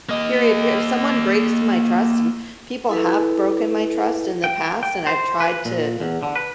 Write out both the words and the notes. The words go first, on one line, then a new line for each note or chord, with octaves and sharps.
Period, per if someone breaks my trust, and people have broken my trust in the past, and I've tried to
A#3 D#5
E4 A4 B4
G5
G5
C5
B4
A#2
E2
D3
B4